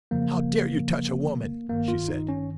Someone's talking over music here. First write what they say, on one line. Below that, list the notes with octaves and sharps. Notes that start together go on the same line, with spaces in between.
"How dare you touch a woman?" she said.
F2 C#3 F3 A#3
G#1 G2 D#3 A#3
F4
D#4
C#4